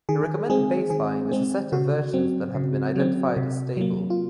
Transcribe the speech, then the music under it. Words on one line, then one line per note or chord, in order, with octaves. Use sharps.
A recommended baseline is a set of versions that have been identified as stable.
D#3 G#4
G#3 C4 G#4
D#3 G#4
G#3 C4
C#3 F#4
F#3 C4
C#3
F#3 C4
C3
F#3 A#3
F4